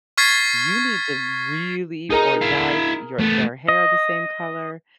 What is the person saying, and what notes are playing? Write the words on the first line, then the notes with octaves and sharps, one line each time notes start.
you need to really or dyes your their hair the same color.
C#6 F6 G#6 A6 B6 C7
D#4 G#4 A#4 D#5 A#5
E4 F5
A3 B3
D#5